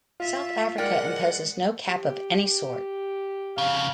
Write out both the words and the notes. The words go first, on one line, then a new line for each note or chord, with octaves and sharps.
South Africa imposes no cap of any sort.
F4 E5
G#3 A#4 D5 F#5 G5
G4
F2 C#3 F5